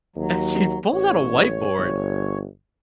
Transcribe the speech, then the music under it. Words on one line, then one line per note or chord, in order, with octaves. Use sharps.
and she pulls out a whiteboard
D#2 F#3
A1 C#5
G1